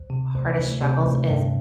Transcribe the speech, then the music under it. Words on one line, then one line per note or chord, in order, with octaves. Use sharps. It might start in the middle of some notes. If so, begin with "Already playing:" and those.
hardest struggles is
Already playing: D2
C3
D2
D2
C3
D2
G2